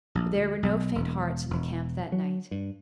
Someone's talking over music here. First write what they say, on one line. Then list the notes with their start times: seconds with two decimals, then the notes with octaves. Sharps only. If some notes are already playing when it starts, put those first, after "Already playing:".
But there were no faint-hearts in the camp that night.
0.15 A#1
0.35 D2
0.63 B1
0.95 E1
1.50 E1
2.12 F#3
2.51 G2